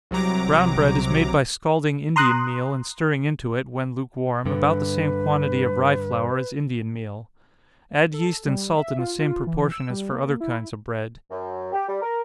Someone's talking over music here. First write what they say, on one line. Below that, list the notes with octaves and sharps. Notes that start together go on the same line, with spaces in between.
Brown bread is made by scalding Indian meal, and stirring into it, when lukewarm, about the same quantity of rye flour as Indian meal--add yeast and salt in the same proportion as for other kinds of bread.
C2 C3 F#3 A#5 D6
A#5 C6 D#6 F#6
G2 D3 B4
A4
G3
E5
F4
F4
E3
E6
G3
A#3
E4
F#2
G4
G3
A#4